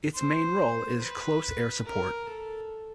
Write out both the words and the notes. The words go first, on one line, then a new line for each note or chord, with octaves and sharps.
Its main role is close air support.
C5
B4
A#4
A4